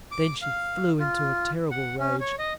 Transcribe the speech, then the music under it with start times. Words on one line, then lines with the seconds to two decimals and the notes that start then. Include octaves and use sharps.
Then she flew into a terrible rage.
0.12 D6
0.42 F5
0.99 F4
1.71 F#5
1.99 C#4
2.20 C#5
2.39 D#5